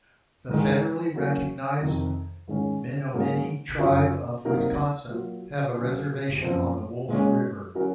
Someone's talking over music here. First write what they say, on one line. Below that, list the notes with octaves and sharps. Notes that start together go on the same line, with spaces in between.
The federally recognized Menominee Tribe of Wisconsin have a reservation on the Wolf River.
G#2 D#3 G#3
F#3 A#3 C#4
F2 C3 D#3
G#2 D#3 G#3 C#4
G#2 F#3 A#3 C#4 G#4
F#2 C#3 F#3 C#4 F4
C3 F#3 A#3 D#4 A#4
F#3 A#3 F4
A#2 F#3 A#3 C#4
F#2 F3 C4
A#2 G#3 C#4
F#3 C#4 F#4 A#4